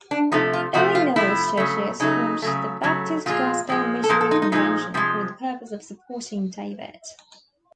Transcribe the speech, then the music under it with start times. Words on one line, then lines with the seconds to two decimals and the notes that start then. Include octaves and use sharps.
Illinois churches formed the "Baptist Gospel Missionary Convention" for the purpose of supporting David.
0.11 D4
0.32 C3 F3 A3 D#4
0.53 F4
0.74 C3 F3 A3 F#4
0.95 F4
1.16 C3 F3 A3 E4
1.57 C#3 F#3 A3
2.00 C#3 F#3 A3 D#4
2.42 C#3 F#3 A3
2.83 C#3 F#3 A3
3.26 A#2 F3 G#3 F4
3.68 A#2 F3 G#3
4.04 A4
4.09 A#2 F3 G#3 A#4
4.21 A4
4.31 D#4
4.42 D#4
4.52 A#2 F3 G#3 D#4
4.94 C3 F3 G#3